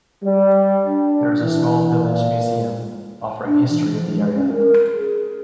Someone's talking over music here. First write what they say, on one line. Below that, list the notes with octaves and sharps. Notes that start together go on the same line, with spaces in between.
There is a small village museum, offering history of the area.
G3
D4
E3
A#2
D4
E3
F3
G#3
C#4
A#4
G#4